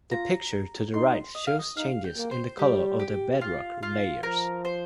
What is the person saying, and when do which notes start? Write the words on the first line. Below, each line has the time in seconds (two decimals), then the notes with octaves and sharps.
The picture to the right shows changes in the color of the bedrock layers.
0.11 F4 A#5
0.94 D#4 C6
1.35 D#5
1.47 F5
1.59 D#5
1.77 D#4 F5
2.04 G5
2.17 A#3
2.31 C5
2.59 G3 G4
2.99 G4
3.41 F4
3.83 F4
4.23 F3 A#4
4.65 C5